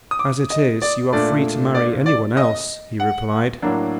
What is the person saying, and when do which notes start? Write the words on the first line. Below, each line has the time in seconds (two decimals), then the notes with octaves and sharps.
"As it is you are free to marry anyone else," he replied.
0.11 D#6
0.19 D6
0.50 D#5
0.82 D5
1.13 A#2 A3 D4 D5
1.75 D5
2.06 D5
2.37 D#5
3.00 F#5
3.62 A2 F#3 A#3 D4